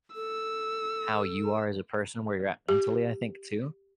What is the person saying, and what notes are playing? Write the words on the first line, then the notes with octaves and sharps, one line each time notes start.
how you are as a person, where you're at mentally, I think, too.
A4 E6
G4